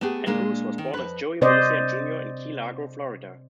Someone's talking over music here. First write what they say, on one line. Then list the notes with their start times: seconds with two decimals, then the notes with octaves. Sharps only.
Andrews was born as Joey Murcia Junior in Key Largo, Florida.
0.01 A3 B3 G4 G#4
0.26 A#2 G#3 A#3 D4
0.78 D#3
0.94 F2 B4
1.41 C3 C5 D5 D#5